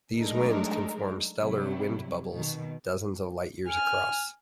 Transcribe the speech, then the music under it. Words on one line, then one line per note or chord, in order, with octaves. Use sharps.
These winds can form stellar wind bubbles dozens of light years across.
F#3 G#3 A3 D4 D#4 A#4
C3 F#3 G3 E4
B2 D#3
G#5 F6